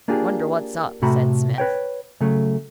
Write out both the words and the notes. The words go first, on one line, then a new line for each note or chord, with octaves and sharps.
"Wonder what's up?" said Smith.
A#3 D4 F4 G4 G#4
A2 C3 A3 F#4 A#5 B5
B4 C#5 G5
C#3 F#3 A3